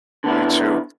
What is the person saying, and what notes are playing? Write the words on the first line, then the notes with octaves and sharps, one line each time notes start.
You too.
D3 B3 E4